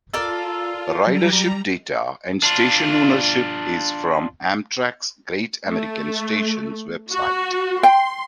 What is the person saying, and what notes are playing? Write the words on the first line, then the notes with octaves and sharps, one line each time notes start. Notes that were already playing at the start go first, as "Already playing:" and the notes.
Ridership data and station ownership is from Amtrak's Great American Stations website.
F4 A4 A#4 D5
F#3 G3 A#5
D4 F4
A3
F#4
G5 C6